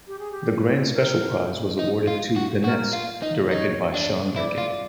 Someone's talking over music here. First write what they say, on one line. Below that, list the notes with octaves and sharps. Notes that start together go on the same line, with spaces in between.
The Grand Special Prize was awarded to "The Nest" directed by Sean Durkin.
G4
G#4
G4
A#4
D#4
F4
F#4
F#4 A#4
F4
D#4
D#4 C#5
D4
E4 D5
F4